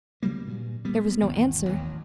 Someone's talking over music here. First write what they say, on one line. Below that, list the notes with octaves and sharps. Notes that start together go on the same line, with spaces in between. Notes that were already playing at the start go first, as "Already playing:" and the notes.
There was no answer.
C#3 F#3 G3 A#3
G2 A#2
G3 A#3 B3
G#1 E2
A1 D#2 F#3